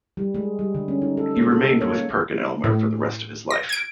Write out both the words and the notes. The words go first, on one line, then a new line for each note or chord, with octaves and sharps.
He remained with Perkin-Elmer for the rest of his life.
G3
G#3
G3
D3
C#4
D#4
A4
G#3
A4
A#3
C#5
A2
A#6
G#6 D7